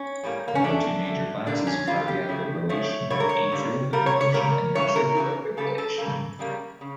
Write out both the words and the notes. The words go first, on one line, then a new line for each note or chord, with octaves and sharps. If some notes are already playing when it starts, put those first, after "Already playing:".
There are two major classes of cardiac fibrillation: atrial fibrillation and ventricular fibrillation.
Already playing: C#4
A2 G3 A#3
A#3
C#4
D3 A3 D4
D3 A3
D3 G3 A#3 D4
C#4
D3 G3 A#3 F4
G4
C#3 F3 A3
C#3 F3 A3 C#5
D3 G3 A#3 C#5
A#4
C#5
D3 G3 A#3
A#2 G3 A#3 A#4
C#5
C#5
A#2 G3 A#3 A#4
C#3 E3 A#3 C#5
A#4
C#3 E3 A#3
C#3 G3 A#3 A4
A4
C#3 G3 A#3
C#3 G3 A#3
C#3